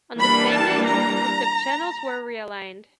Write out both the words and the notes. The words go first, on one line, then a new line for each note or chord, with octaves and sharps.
On the same day, the subchannels were realigned.
E3 G3 A#3 D4 B5
A5
A#5